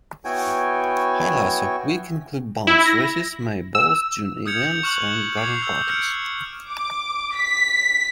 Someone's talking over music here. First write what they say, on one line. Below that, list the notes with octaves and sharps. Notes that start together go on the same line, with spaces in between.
Highlights of the week include Bumps races, May Balls, June Events and garden parties.
B3 E4 F#4 C#5 G5 G#5
E4
A#6
E6
D#6 F6 G6 G#6 C#7 F7
C#6 F6 F#6 F#7
D6 G#6 C7 F7
E6 G6
F6 C#7 D7
D6
B6